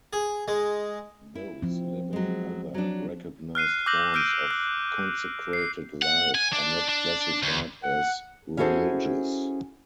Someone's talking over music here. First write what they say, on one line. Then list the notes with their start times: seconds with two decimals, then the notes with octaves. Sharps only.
Those living other recognized forms of consecrated life are not classified as religious.
0.13 G#4
0.48 G#3
1.35 E4
1.62 F3 C4
2.13 F#3 G#3
2.74 F#3 D4
3.55 F6 F#6 C7 D#7
3.86 D6 E6 F#6 G6 A#6 F#7
4.14 E6 F6 G6 D7 D#7
4.51 F#6
5.53 C7
6.02 F#5
6.35 G#5
6.53 D4
6.89 D4
7.43 D2
7.83 F#5
8.57 C#4 E4 F#4 G#4 A4 C5